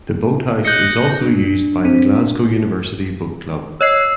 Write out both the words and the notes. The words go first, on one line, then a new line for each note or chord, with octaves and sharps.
The boathouse is also used by the Glasgow University Boat Club.
D#5 F#6 G6 C#7
D4
C4
C#5 D#5 E6 C7